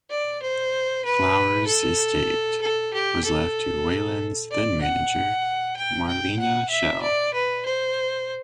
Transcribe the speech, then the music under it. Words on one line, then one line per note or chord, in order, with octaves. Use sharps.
Flowers' estate was left to Wayland's then-manager, Marlena Shell.
D5
C5
B4
A4
A4
G4
A4
D5
F#5
G5
G5
F#5
E5
D5
B4
C5